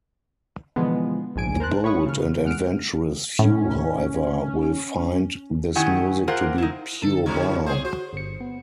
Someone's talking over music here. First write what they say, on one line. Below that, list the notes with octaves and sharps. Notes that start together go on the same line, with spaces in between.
The bold and adventurous few however, will find this music to be pure balm.
B2 D3 E3 F3 G#3 B3
A#1 G#2 G#5 D7
A#4 C5 A5 F#6
C#5 B5 C#6 D#6
C#3 F6
G#3 F#5 F6 D7
A2 C#4
D#3 C#4 E4 G4 F#5 G#5
F4 G4 G#4 A#4 C5 F#5
D#4 E4
D3 D#4 A4
E3 G3 C#4
G#4 C5 C#5
F#4 C5
G1 C#7
B3